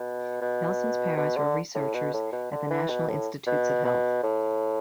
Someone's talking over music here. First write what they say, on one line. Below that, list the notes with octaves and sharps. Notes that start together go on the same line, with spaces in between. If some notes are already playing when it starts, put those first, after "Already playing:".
Nelson's parents were researchers at the National Institutes of Health.
Already playing: B2
B2
B2
D3
A2
B2
A2
B2
D3
E3
B2
A2
B2
B2
A2